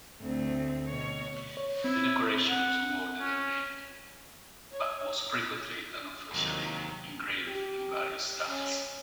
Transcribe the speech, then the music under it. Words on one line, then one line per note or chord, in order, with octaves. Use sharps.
The decoration was awarded unnamed, but was frequently unofficially engraved in various styles.
D2 C4
B2 C#5
C#5
C4 E4
F#5
C#4
C#5
D#2 C3 D#3 F#3
G4
C#4